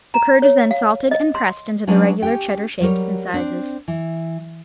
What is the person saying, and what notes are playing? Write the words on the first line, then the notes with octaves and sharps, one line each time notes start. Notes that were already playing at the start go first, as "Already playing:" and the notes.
The curd is then salted and pressed into the regular Cheddar shapes and sizes.
A#5
C#5
F5
D#5
C6
F#3 G#3 C#4 D4 B4
C#4 G4 G5
F#3 G3 A#4 C#5
C4 D4
E3